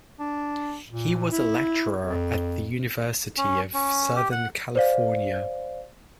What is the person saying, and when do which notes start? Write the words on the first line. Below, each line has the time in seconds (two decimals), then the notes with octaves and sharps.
He was a lecturer at the University of Southern California.
0.19 D4
0.89 A#2
1.32 E4
2.01 F2
3.38 C#4
3.74 C#4
4.16 G4
4.32 F#5
4.76 C5 D5 F5